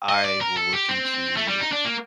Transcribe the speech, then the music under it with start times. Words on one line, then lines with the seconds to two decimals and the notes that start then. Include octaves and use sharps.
I will look into
0.09 D#5
0.25 D5
0.41 A#4
0.57 A4
0.73 G4
0.89 C4
1.37 A3
1.48 G3
1.61 D#4
1.72 D4
1.85 A#3